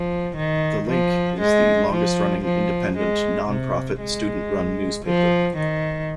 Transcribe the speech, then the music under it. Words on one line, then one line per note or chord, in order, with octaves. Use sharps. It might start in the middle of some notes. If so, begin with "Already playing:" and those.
"The Link" is the longest-running independent, non-profit, student-run newspaper.
Already playing: F3
D#3
F3
G#3
F3
F3
G#3
C3
G#3
F3
D#3